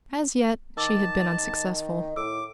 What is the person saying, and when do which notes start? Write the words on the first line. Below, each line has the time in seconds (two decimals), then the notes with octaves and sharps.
As yet she had been unsuccessful.
0.77 D#3 A5 D6 E6
2.16 A2 D6 E6